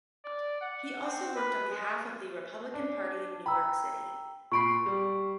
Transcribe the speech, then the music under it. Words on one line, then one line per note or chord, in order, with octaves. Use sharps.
He also worked on behalf of the Republican Party in New York City.
D5
F#5
C4
B4
G#3
D4
G5 A#5 B5 E6
A#2 B5 C#6 C7 D7
G3